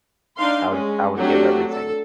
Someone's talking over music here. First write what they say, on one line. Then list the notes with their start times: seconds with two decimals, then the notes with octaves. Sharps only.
I would I would give everything.
0.36 D4 D#4 F5 C6
0.68 G#3 C#4
1.16 F#3 A3 C4 D4 F#4 G4
1.69 A4